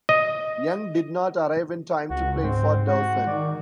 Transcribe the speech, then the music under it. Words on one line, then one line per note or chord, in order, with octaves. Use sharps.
Young did not arrive in time to play for Dawson.
D#5
C#2 F#4
G#2 C4
F#4
D#3 D5